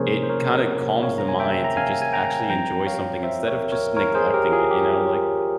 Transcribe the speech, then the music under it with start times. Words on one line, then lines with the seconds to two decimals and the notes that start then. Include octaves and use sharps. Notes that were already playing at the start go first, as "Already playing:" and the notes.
it kinda calms the mind to just actually enjoy something instead of just neglecting it, you know, like,
Already playing: C3 F3 A#3 C#4 G#4 A#4 C5 C#5
0.23 C5
0.29 A#4 C#5
1.03 C#5 F5
1.18 A#5
1.28 G#5
1.40 E5 G5
1.64 A#5
1.77 F5 G#5
2.02 G#5
2.13 G5 A#5
2.50 F3 C4 G5 A#5
2.86 C#5 F5
3.23 C5 E5
3.48 A#4 C#5
3.72 A#4 C#5
3.97 A#4 C#5
4.15 G#4 C5
4.34 G4 A#4
4.52 F4 G#4
4.71 G4
5.07 G4